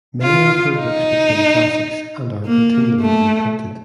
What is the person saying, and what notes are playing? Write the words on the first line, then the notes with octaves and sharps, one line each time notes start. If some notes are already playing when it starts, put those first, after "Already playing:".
Many of her books became classics and are continually reprinted.
F4
D#4
A#3
A3